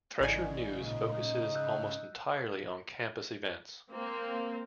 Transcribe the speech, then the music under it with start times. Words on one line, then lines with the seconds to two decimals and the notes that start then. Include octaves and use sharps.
"Thresher" News focuses almost entirely on campus events.
0.20 A1 G#2 C#3 E4 D5 D#5 G#5
0.82 A#2 D#4
1.55 E6 F#6 G6
3.91 A#3 C4